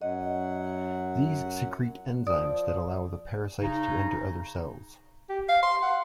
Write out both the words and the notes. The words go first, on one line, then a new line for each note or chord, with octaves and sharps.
These secrete enzymes that allow the parasite to enter other cells.
F#2 F#3 D#5 F#5
F3 D5 D#6
C#3 D#4
G4
F5
C6
F#5